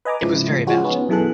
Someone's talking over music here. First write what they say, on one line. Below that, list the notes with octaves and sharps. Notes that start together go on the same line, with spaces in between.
It was very bad.
B4 D#5 G#5 A#5 D6
G#2 C#3 F3 E4
A2 C#3 F3
F3 G#3 C#4 F#4 C5
B3 C#4 D#4
F#2 B2 E3 G#4 A4 F#6